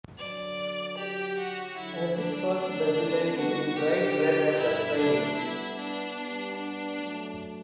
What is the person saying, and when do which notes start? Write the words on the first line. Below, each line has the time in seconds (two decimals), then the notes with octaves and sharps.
Acid-fast bacilli will be bright red after staining.
0.18 D3 F#3 D5
0.98 G4
1.38 F#4
1.78 D3 F#3 E4
2.17 D4
2.57 A3 C4 D4
3.37 G3 B3 F#4
3.77 B2 D3 G4
4.57 G2 B2 E4
4.97 F#3 A3 D4
5.37 G3 B3 E4
5.77 D4
6.17 G3 B3
6.57 D4
6.97 F#3 A3